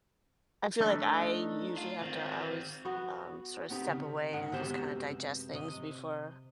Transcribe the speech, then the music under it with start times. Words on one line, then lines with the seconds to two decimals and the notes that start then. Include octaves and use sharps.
I feel like I usually have to always, um, sorta step away and just kinda digest things before
0.80 A3 D4 D#4
1.78 F4
2.02 D#3 C4
2.85 B3 F#4
3.70 B3 C4 D#4 G4
3.88 C#3
4.33 G#2 C#3 D#4 F#5
4.52 F#2 C3 G#3 B3 G4 C5
5.54 C3 D#5